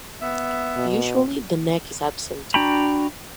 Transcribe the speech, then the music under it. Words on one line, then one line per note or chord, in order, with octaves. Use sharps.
Usually the neck is absent.
B3 E5
B2
D4 F#4 G5 A#5 B5